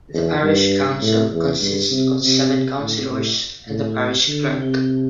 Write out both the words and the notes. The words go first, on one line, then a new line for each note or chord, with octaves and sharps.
The parish council consists of seven councillors and the parish clerk.
E2
G2
A2
E2
G2
C3
C3
A2
A2
A2
D3
C3